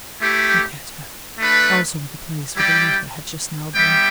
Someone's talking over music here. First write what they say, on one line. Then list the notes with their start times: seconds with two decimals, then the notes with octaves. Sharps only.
I look at her, also at the place where the letter had just now been.
0.21 A3 E4 G4
1.39 A3 D4 B4
2.56 G3 E4 G4 D5 G5
3.74 G3 B3 G4 E5 G5